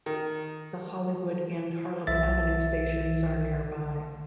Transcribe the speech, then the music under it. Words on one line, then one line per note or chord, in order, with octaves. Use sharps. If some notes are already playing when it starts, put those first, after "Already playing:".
The Hollywood and Harlem Avenue stations are nearby.
D#3
B1 E5 A6